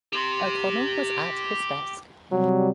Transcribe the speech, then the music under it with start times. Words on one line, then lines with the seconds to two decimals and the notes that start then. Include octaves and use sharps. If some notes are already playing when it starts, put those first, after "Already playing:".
O’Connell was at his desk.
0.13 G4 C6
2.32 C3 F#3 G3